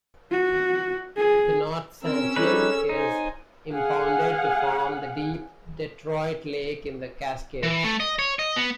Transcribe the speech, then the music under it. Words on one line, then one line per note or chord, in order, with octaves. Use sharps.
The North Santiam is impounded to form the deep Detroit Lake in the Cascades.
F#4
G#4
C4 C#4 A#4 E6
G3 D#4 G#4 A4 B4 C#5
D#4 C5 G#5
G#4 F5 F#5 G#5
E3
A3
D#5
C#5
D#5
B3